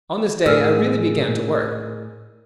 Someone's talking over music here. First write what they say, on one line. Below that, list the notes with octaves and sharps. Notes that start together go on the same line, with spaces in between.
On this day I really began to work.
A2 G#4 A#4 E6 F6